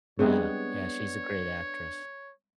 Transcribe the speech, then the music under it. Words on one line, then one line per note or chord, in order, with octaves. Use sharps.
Yeah, yeah, she's a great actress.
G3 G#3 B3 C4 D4 G#4 C#5